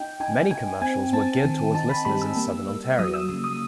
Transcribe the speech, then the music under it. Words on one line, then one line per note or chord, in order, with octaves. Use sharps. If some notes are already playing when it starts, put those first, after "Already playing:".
Many commercials were geared towards listeners in Southern Ontario.
Already playing: D#4 G5
D#4 G#5
D#4 G#5
C4 G#5
C4 A5
D#3
D#4 A5
B5
G3 B5
E6
A#3
A#3
F#3 D#6
E6
C#3 D#6
D#6